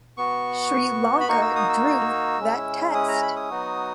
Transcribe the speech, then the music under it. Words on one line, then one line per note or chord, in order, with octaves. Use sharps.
Sri Lanka drew that Test.
B3 F#4 C#6
B5
A#3 D#4 F#4 C#6
E6
D#6
E6
G#3 C#4 E4
D#6
A#5
B5
D#6
F#3 B3 D#4 F#4